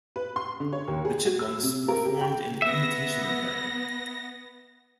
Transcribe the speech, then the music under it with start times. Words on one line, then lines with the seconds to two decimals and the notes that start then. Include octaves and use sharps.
The Chipmunks were formed in imitation of them.
0.16 B4
0.36 C6
0.60 D3
0.73 C#5
0.88 D#2
1.05 G#4
1.25 F#4
1.39 E6
1.63 C3
1.88 A#4
2.05 G4
2.21 G5
2.62 B3 E5 A#6